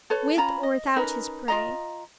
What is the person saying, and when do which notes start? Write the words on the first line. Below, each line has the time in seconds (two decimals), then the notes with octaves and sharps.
With or without his prey!
0.10 A4 B4 C#5
0.37 C#4 F4 A#5 B5
0.63 D#5
0.96 C#4 D#4 A#4 B4
1.48 F4 D#5 A#5